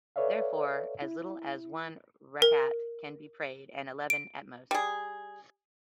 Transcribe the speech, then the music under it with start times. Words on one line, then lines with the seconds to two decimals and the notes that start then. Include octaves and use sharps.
Therefore, as little as one rakat can be prayed, and eleven at most.
0.16 A4 B4 C#5 D5 E5 F5
1.02 E4
2.42 A#4
4.10 D7
4.71 G3 G#4